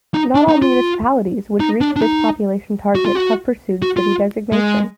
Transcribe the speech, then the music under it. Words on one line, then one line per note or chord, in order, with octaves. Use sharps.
Not all municipalities which reach this population target have pursued city designation.
D#4
D4
D#4
F4
D#4
D4
D4
D#4
F#4
F4
F#4
F#4
F4
G#3